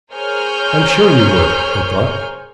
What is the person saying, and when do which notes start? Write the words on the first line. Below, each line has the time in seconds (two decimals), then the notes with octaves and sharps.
"I'm sure you would," I thought.
0.11 G#4 A#4 C5 C#5 F6 G6